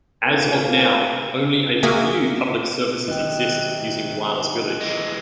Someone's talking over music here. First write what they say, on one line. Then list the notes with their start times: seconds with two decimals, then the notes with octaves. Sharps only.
As of now, only a few public services exist using Wireless Village.
0.24 D2 E3 A#3 F4
1.83 A#3 F#4 G#4 A#4 E5 G#5
3.08 C3 D#3 F#3 D#5 G5 F#6
4.80 E3 G#3 C6